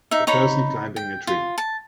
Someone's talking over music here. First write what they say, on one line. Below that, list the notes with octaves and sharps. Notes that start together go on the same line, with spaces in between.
A person climbing a tree.
D#4 E5
D#4 C#5 A#5 B5
G5
F4
A5